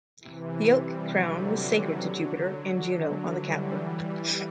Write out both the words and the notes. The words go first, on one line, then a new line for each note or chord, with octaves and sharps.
The oak crown was sacred to Jupiter and Juno on the Capitol.
C3 E3
E3 G3
D3 F#3
D3 F#3
E3 G3
E3 G3